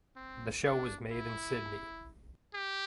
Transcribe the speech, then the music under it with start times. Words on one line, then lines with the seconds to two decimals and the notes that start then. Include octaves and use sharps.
The show was made in Sydney.
0.16 C4
0.64 D4
1.12 E4
2.54 G4